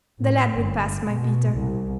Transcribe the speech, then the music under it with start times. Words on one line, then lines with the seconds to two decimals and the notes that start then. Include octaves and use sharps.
'The lad will pass, my Peter.
0.19 A2
0.52 G1
1.06 B2
1.52 C2